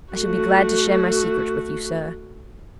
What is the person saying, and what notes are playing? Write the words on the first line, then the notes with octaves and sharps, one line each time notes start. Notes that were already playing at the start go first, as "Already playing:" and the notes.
I shall be glad to share my secret with you, sir.
A3 F#4